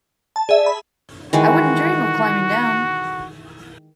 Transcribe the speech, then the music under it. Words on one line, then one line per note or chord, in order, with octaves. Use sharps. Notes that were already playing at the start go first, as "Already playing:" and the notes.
I wouldn't dream of climbing down.
A5
G#4 D5 E5
B5
D#3 E3 G#3 F#4